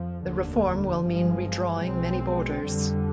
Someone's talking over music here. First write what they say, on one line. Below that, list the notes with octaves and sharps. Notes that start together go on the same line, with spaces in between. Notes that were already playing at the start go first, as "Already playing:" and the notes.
The reform will mean redrawing many borders.
Already playing: F2 F3
F1 D#2 D3
G1 G2 F3 G#3
B1 B2 G#3 C4
F2 D3 G3